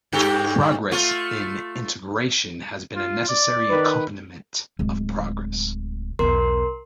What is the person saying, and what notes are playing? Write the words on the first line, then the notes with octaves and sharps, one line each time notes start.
Progress in integration has been a necessary accompaniment of progress.
G2 G4 A4
A3 F4
F4
D5
D#3 B4
D1 G#3
B1 E2 A#4 C6